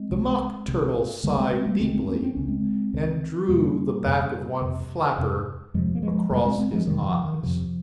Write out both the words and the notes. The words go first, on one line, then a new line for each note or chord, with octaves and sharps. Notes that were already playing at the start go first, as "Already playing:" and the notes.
The Mock Turtle sighed deeply, and drew the back of one flapper across his eyes.
Already playing: G#3 C4
C2 C3
C2 C3
C#2 C#3 G3 A#3
G#3 C4
G#3 C4
G3 A#3
C#2 C#3 G#3 C4
G#3 C4
A#3 C#4
C4
C#2 C#3 C#4
G#3 C4
C#2 C#3
F2 C3 G3 A#3
F2 C3
F2 C3
F2 C3
F2 C3 F3 G#3
A#3
F3 G#3
F2 C3 G3 A#3
G#3 C4
G#3 C4
F3 G#3
F2 C3 D#3 G3
D#3
F3
D#3
F2 C3 F3